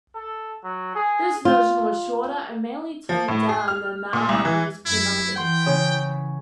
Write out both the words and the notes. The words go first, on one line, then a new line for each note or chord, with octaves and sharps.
This version was shorter, and mainly toned down the amount of musical numbers.
A4
F#3
G#4
F4
F3
A2
G#4
F6
A#2
C2
E3
F#2 E4
E3 F#5 G5 C6
C#3 C#4